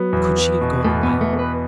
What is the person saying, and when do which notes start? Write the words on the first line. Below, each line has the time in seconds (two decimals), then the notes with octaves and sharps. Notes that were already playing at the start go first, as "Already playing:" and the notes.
Could she have gone away?
Already playing: F#3 B3
0.13 E2
0.37 B3
0.61 B2
0.84 E2 A3
1.03 B3
1.09 E2
1.21 A3
1.33 B3
1.39 B4